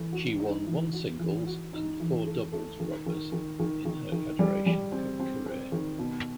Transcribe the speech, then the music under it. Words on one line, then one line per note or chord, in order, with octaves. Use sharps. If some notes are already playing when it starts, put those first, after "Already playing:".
She won one singles and four doubles rubbers in her Federation Cup career.
Already playing: E3 A3
F#4
D#4
E3
F#4
E3
F#4
D#4
E3
A3
A3
D#3
D#3
D#3
D#3
D#3
D#3
G3
G3
C4
C4
C4
D#3
B2